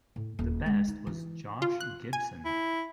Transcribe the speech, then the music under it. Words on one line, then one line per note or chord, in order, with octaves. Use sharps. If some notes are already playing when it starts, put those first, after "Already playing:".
The best was Josh Gibson.
A2
D#1
G#3
D#4
E3
F4
F#6
G#5
E4